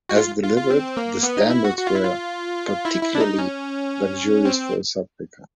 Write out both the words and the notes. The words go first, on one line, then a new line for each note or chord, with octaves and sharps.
As delivered, the Standards were particularly luxurious for a subway car.
F#4
F4
F4
F4
C4
A#3
B3
D#4
E4
F#4
F#4
F4
E4
F4
E4
E4
D4
D#4
C#4
C4